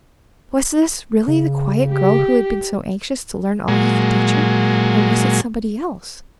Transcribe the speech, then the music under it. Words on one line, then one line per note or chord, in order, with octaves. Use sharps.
Was this really the quiet girl who had been so anxious to learn all he could teach her, or was it somebody else?
C#3
G4
A#2 F#3 G#3